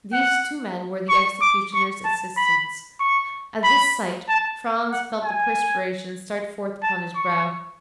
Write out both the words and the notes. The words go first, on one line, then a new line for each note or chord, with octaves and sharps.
These two men were the executioner's assistants. At this sight Franz felt the perspiration start forth upon his brow.
F#5
C#6
D6
C#6
A5
B5
C#6
B5
A5
F#5
G#5
A5
C#6